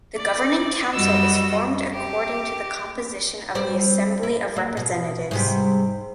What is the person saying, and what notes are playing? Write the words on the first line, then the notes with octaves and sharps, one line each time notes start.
The Governing Council is formed according to the composition of the Assembly of Representatives.
D5
F#2 G3 F#4 D#5 E6 A#6
G4
G3 C4 D5
E4
A#3
B2
G#2 C3 G3